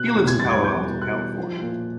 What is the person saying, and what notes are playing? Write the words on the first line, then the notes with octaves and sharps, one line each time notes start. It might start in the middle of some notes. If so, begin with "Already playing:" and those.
He lives in Palo Alto, California.
Already playing: B2 F#6
E2
G#6
G3 A6
G#6
E2 G6
B2
F#6
E2
F3
A#2